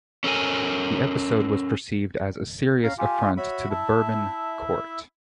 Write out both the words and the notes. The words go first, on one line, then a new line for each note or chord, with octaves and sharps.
The episode was perceived as a serious affront to the Bourbon court.
C#4 A4 A#4 G#5
C#4 F5 A#5
F4 G4 G#5
F#4 C#5 E5 B5
E4 E5 A5